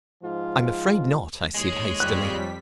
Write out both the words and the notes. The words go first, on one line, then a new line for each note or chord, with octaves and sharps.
"I'm afraid not," I said hastily.
G#2 F3 F4
D#2 G#2 G#3 G#4 C#5
F2 G3 F#6 B6